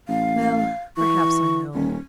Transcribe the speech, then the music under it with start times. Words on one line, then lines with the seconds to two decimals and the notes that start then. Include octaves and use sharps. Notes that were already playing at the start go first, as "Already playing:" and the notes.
Well, perhaps I know.
0.08 A1 F5
0.97 E3 C#6
1.74 D#1 C#4